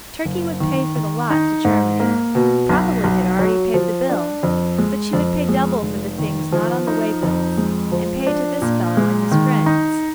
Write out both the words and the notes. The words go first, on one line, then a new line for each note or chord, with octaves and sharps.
Turkey would pay for the lot to Germany: probably had already paid the bill: but she would pay double for the things not on the way-bills, and pay to this fellow and his friends.
F#1
D#3
D#3
D#4
G#2
A#3
B2
B1
B1
F#3
F3
D4
F2
G#3
F2
G#3
F1
D#3
F3
D#4
F2
G#3
F3
D4
A#2
G#3
D#3
D#4